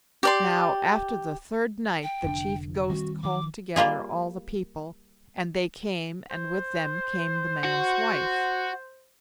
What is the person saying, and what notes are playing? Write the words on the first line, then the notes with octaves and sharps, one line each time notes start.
Now, after the third night the chief ghost called together all the people, and they came, and with them came the man's wife.
G4 D5 C6
G5
F1 D3 D4
D#3 G3 C4 F#4
D#3 F3 D6
G3 A#3 F4 G#4
C5
F#4